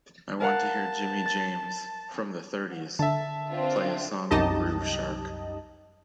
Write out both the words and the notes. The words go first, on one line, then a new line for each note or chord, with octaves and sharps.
I want to hear Jimmy James from the thirties, play a song on Groove Shark.
A#4 F5 F#5 A5
A6
D3 E5 A5
C4 D4 F4
C2 F#2 D#4 G4 D#5 A5